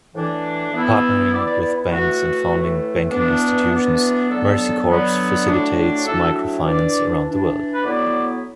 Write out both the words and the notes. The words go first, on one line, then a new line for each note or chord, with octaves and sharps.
Partnering with banks and founding banking institutions, Mercy Corps facilitates microfinance around the world.
A2 E3 D4
E3 B3 E4
E3 B3 E4 D5
D5
D5
E4
A2 E3 A3 F#4
A2 E3 A3
E3 B3 D4
E3 B3 D4
D3 F#3 B3 A4
D3 F#3 B3
A2 F#3 A3 D4
A2 F#3 A3 D4 A4
E3 D4 D5
E3 D4
B4
A2 F#3 B3 E4 D5